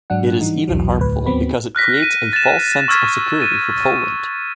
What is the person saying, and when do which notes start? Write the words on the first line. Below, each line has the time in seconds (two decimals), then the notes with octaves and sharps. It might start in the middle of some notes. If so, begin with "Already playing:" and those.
It is even harmful because it creates a false sense of security for Poland.
0.10 G#2 F#3 D4 F#5
0.41 E3 G3 D#4
0.68 B1 E2 E3 F#3
0.98 D2 A2 B4
1.26 D#2 D#3 F#3 B3 C4 B5
1.75 F6 F#6 A#6 B6
2.02 B6 D#7
2.33 A6 E7
2.88 C#6 E6 F6 G#6 A6 B6
3.40 A6 D#7